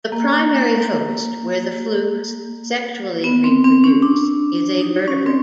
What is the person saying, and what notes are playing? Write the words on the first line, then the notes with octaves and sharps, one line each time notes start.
The primary host, where the flukes sexually reproduce, is a vertebrate.
A#3
B3
C4
C4
C#4
D4
D#4
C#4
C4